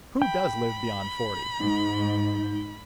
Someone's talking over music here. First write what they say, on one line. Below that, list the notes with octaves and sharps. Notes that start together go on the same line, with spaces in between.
Who does live beyond forty?
G5 B5
G#2 D#4